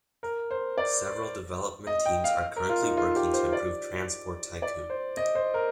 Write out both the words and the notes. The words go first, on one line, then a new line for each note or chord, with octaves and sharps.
Several development teams are currently working to improve "Transport Tycoon".
A#4
C5
D5
D#5
G5
F5
A#4
F4
D#4
F4
G4
C5
D5
D5
C5
D#5
C5
A#4